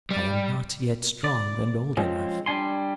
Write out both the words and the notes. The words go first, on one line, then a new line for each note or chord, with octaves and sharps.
I am not yet strong and old enough.
G3
D5
F3 G#3 C4 C#4
G3 D4 G#5 C6